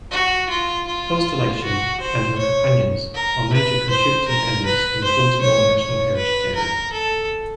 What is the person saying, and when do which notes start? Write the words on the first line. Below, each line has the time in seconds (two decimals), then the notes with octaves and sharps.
"Constellation" and her companions are major contributing elements in the Baltimore National Heritage Area.
0.11 F#4
0.50 F4
0.87 F4
1.64 F#4
2.00 C5
2.38 C#5
3.14 A#4
3.53 B4
3.90 C5
4.28 A#4
4.66 B4
5.04 C5
5.41 C#5
5.79 C#5
6.17 B4
6.55 A#4
6.93 A4